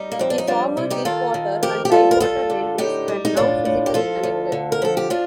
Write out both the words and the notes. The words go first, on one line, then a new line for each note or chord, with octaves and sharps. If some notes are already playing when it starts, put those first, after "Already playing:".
The former Deepwater and Tidewater Railways were now physically connected.
Already playing: G3 D#4
A#3
F2 C4
D4
D#4
G3 D4 F4
C3
D#4 G4
D#3 F4 A4
D#3
F2 G4 A#4
G4
G3 F4 A4
A#4
G3 F4 A4
D3
A2 D#4 G4
G3
D#4
A2 D4 F4
A2
G4
F3 F4 A4
D2
D3
A#4
F3 A4
G4
F3 D4 F4